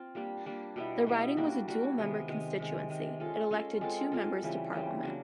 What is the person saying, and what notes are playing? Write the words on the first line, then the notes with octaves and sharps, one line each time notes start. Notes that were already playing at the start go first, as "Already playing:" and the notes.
The riding was a dual-member constituency-it elected two members to Parliament.
Already playing: C4 F4
G3 A#3 D4 G4
G3 A#3 D4 G4
B2 G3 B3 E4
B2 G3 B3 E4
G3 A#3 D4 F#4
G3 A#3 D4 F#4
C3 D#3 G#3 B3
C3 D#3 G#3 B3
C3 D#3 G#3
C3 D#3 G#3
G#3 C#4 F4 A4
G#3 C#4 F4 A4
G#3 C4 F4 A4
G#3 C4 F4 A4
C#3 E3 G3 C4
C#3 E3 G3 C4
C#3 F#3 A#3 D4